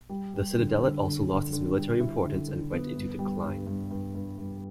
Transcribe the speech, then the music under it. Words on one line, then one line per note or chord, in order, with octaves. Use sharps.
The Citadellet also lost its military importance and went into decline.
G3
G3
D3
D3
D3
D3
D3
G3
E4
D3
D3
B3
G2
G3
G2
G2
G2
G2
G2